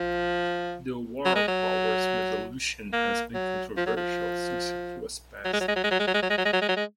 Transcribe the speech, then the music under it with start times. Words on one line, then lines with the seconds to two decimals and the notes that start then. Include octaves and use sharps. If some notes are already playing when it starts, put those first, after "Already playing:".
The War Powers Resolution has been controversial since it was passed.
Already playing: F3
1.25 F#3
1.35 G#3
1.48 F#3
2.93 A#3
3.34 F#3
3.77 F3
3.86 F#3
3.97 F3
5.45 F#3
5.53 G#3
5.61 F#3
5.68 G#3
5.76 F#3
5.84 G#3
5.91 F#3
5.99 G#3
6.07 F#3
6.14 G#3
6.22 F#3
6.30 G#3
6.38 F#3
6.45 G#3
6.53 F#3
6.61 G#3
6.69 F#3
6.76 G#3